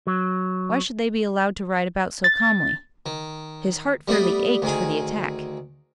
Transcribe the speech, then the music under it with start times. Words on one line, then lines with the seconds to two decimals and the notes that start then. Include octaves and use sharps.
Why should they be allowed to ride about so calmly? His heart fairly ached for the attack.
0.07 F#3
2.24 A6
3.06 D#3
4.08 G3 A3 B3 D5 D#6
4.62 D2 D#3 G#4